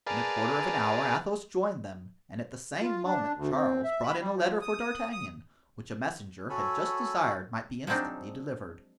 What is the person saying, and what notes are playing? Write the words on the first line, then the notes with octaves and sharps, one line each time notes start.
In a quarter of an hour Athos joined them and at the same moment Charles brought in a letter for D'Artagnan, which a messenger had just desired might be instantly delivered.
G#4 A#4 B4 D5 F5 A5
F4
D4
D2
C4
E5
B5
G3
F3
D#6
D#6
F#4 A4 C#5 G#5 B5 E6
F3 F#3 G#3 C4 D4 D#4